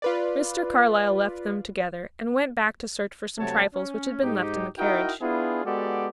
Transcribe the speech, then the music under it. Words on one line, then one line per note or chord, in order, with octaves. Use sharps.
Mr. Carlyle left them together, and went back to search for some trifles which had been left in the carriage.
F4 B4 D5
C3 F#3 A3 C#5 A5
C#4
G#2 D#4 G4
D#4 E4 F#4 A#4 D#5 G5
B3 D4 E4 F4 G#4
G#3 B3 F#4 G4 A4 D5